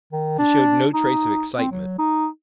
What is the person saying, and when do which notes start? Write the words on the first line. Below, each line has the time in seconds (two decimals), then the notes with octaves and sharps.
He showed no trace of excitement.
0.12 D#3
0.39 D4
0.94 D#4
1.58 C4
1.71 F#3
1.98 D#4